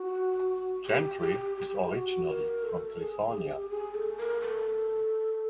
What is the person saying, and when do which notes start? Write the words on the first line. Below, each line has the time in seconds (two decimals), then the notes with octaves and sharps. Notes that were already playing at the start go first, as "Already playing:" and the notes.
Gentry is originally from California.
Already playing: F#4
0.86 G4
1.21 G4
1.57 G4
1.92 F#4
2.28 A#4
2.63 A4
2.99 G#4
3.34 G4
3.70 G#4
3.94 A4
4.18 A#4
4.41 A4